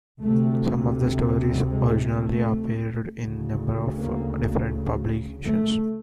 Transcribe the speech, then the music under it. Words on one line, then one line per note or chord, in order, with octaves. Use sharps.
Some of the stories originally appeared in a number of different publications.
D2 C3 A3
G#3
A3
D2 C#3
A#3
A3